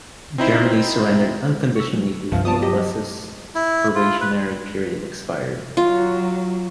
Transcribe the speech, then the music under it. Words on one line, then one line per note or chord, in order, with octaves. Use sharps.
Germany surrendered unconditionally before Busse's probationary period expired.
C4 D#4 E4 C5
C#6 E6
F#3
C#2 G2 C3 F3 F5
B3 F4 A5 D6 D#6
F#3 G4 D#5
E4
F4
B4
F#3 F4